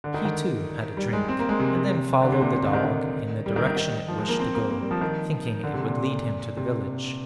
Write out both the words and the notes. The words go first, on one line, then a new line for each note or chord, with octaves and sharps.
He too had a drink, and then followed the dog in the direction it wished to go, thinking it would lead him to the village.
D3
D#3
D#3
G3
G#3
C4
A#3
G#3
C3
C3
D3
C3
A#2
C3
D3
D#3
D#3
G3
D#3
D#3
D#3
F3
G#3
A#3
C4
A#3
A#3
G3
F3
D#3
D3
C3
A#2
C3